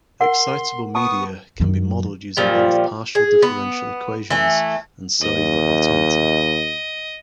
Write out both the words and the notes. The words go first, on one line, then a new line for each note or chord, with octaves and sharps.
Excitable media can be modelled using both partial differential equations and cellular automata.
A#4 F#5 C6
B3 A5 C#6 D#6
F#2 D#3
A#2 F3 G3
G#4
B3
E3 A3
D#2 D#5